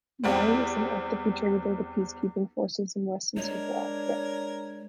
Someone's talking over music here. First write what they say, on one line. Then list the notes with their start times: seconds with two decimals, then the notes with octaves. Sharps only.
Mali is an active contributor to peacekeeping forces in West and Central Africa.
0.24 E2 G3 C4
3.37 G#3 D4 A#4 C#5